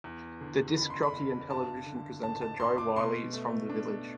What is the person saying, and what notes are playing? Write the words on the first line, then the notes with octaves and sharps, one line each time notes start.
The disc jockey and television presenter Jo Whiley is from the village.
E2
D3
F#1 B5
C6
B5
F#1
G2 A5
D3
A1 A5
A5
A1 C6
D6
B2 C6
A3
D4